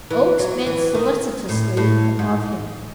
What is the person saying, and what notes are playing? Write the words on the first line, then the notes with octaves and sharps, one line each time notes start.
Oakes bent solicitously above him.
E3
F#3
E3
D#3
A2
A2
G#2